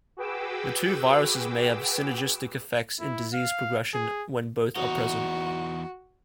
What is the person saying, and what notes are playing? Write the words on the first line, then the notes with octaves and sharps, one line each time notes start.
The two viruses may have synergistic effects in disease progression when both are present.
F#4 G#4 B4 G5 D6 E6
E4
F5
G#4
E2 D#4 F#4